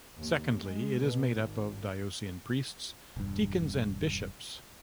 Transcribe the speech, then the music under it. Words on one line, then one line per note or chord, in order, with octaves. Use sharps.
Secondly, it is made up of diocesan priests, deacons, and bishops.
D#2
G#3
B2
G#1
E1 G2